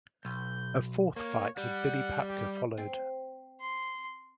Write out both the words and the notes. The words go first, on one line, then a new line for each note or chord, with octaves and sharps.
A fourth fight with Billy Papke followed.
B1 G6
A#3 C#5
G3 F#5
G4
C4
C6